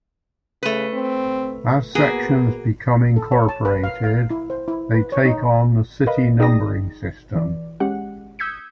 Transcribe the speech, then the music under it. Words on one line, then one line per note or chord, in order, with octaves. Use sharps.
As sections become incorporated, they take on the city numbering system.
C#3 A3 B4
C4
A#3 B3 F#4 G#4
A4
C#5
A5
B4
F5
F5
E4
C5
E4
B4
C#5
D#4
A#4 B4 D#5 F5 B5
D#4 G#4 D5 G5 D#6 A#6
E3 D5
G#3 C#4 G4 F#5
D#6 E6 G6 G#6 B6 C#7